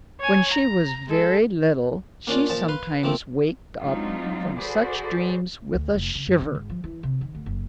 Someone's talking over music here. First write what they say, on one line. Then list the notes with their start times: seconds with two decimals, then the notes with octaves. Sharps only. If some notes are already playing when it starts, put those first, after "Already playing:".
When she was very little she sometimes waked up from such dreams with a shiver.
0.20 C#5 G#5
0.51 A#5
1.08 G#3 A4
2.27 A#3 C#4 D4 F4
2.50 A#2 F3 A5
2.68 B4 F5 C6
3.03 F3 A3 A#3 C4
3.80 F#3 G#3 C4 D4 D#4 F4
4.58 F#4 G#4 A4 B4 C5 D5
5.74 D2
5.95 F1
6.15 C#3
6.27 F#2
6.41 D3
6.55 G#1
6.70 F3
6.84 E3
7.03 C3
7.21 D#3
7.35 D2
7.46 F#1